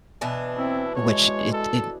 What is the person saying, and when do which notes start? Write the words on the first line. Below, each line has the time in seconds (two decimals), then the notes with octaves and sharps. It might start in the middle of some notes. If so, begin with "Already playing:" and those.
which it it
0.21 B2 E3 D4
0.57 C4 E4
0.96 G#3 C#5
1.53 A4